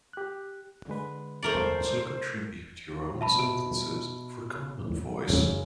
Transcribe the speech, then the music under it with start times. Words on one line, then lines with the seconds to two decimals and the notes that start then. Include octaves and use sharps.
You can also contribute own sentenes for "Common Voice".
0.13 G4 F#6
0.88 D3 G#3 B4
1.43 A3 A#4 C5 D5
3.21 E5 A5 B5
3.34 B2 D7
5.27 F#2 C#3